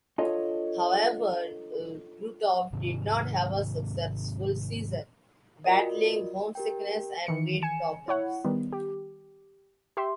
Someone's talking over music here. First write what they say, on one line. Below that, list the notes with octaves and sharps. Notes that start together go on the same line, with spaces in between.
However, Krutov did not have a successful season, battling homesickness and weight problems.
D4 F4 A4 C#5 D#5
G#2 C3 D#3
F4 F#4 A#4 D5 D#5
G4 A#4 G5
D#3 E3 C#7
G#5 C#7 E7
E4 C#5 F#5
D#3 G3 B3
G4
G4 E5 C6